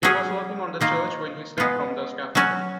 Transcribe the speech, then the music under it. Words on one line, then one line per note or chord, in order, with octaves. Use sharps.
He was working on the church when he slipped from the scaffolding.
F#3 C#4 G#4
D#3 A#3 F4
G#3 B3 F4
F#3 C#4 F#4